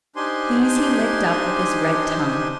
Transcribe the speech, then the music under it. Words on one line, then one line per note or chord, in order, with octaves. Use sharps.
These he licked up with his red tongue.
D4 D#4 G4 C5 G#5 C6